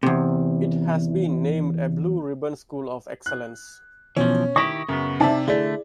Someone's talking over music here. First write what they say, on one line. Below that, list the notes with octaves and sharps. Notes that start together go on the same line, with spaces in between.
It has been named a Blue Ribbon School of Excellence.
E2 C3
F#6
B2 E3 F3 C#4
D#3 E4 G4 C#6 D#6 A#6
F#2 C#3 B3
C3 D#4 D5 E5 A5
D3 A3 E4 G#4 D5